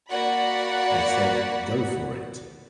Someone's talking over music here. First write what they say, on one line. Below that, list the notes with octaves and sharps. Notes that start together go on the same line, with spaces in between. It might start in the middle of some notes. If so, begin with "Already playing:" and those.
They said, Go for it!
A#3 F#4 D5 F#5 B5